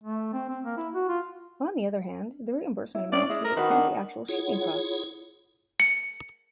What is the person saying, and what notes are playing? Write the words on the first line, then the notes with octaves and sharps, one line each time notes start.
On the other hand, the reimbursement amount may exceed the actual shipping costs.
A3
C4
C4
A#3
E4
F#4
F4
E4
C#4 D4 E4 D5
G#3 E4
A#4
D#3 F#4 B4 C5
D4 F#5 G#5
E4 F4 G#4 C#5 F#5
C#7